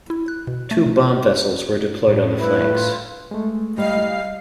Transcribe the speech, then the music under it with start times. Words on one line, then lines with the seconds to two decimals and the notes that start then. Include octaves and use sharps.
Two bomb-vessels were deployed on the flanks.
0.10 E4
0.28 F#6
0.47 B2
0.71 A3
0.86 B2
2.08 A2
2.39 G2 E4 B4
2.72 F4
3.31 G#3 A3
3.78 G3 D#5 F5 C7